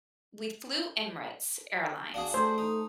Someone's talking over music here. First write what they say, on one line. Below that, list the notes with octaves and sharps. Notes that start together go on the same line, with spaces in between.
we flew Emirates Airlines,
D4 F#4 G#4 F5
A3 C5
D#4